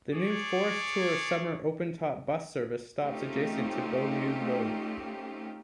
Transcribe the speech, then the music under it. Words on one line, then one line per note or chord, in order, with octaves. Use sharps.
The New Forest Tour summer open top bus service stops adjacent to Beaulieu Road.
G#4 C#5 D5
A3 C4 C#4 D#4 F4 G4